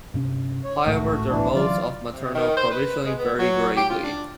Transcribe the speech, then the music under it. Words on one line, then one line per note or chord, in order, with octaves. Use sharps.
However, their modes of maternal provisioning vary greatly.
G2 C3 C#4
C#5
G#1 C#2 A2 A3 F#4
E3 D4
D3 E3 F#3 F4 D5
C3
D#3
C5
B4
G#3
B3
F#3
G4
F4
D4